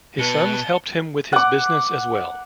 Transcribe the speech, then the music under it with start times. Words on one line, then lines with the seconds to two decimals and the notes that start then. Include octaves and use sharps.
His sons helped him with his business as well.
0.19 B2 B4 A5 C#7 G7
1.33 F#5 D6